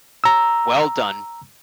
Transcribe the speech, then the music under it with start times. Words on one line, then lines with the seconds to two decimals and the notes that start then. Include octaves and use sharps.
Well done.
0.24 A#5 E6